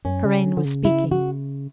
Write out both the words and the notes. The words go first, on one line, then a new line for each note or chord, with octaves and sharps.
Karain was speaking.
F#2 C#4
C#3
D3
D3
C#3
E4
F#4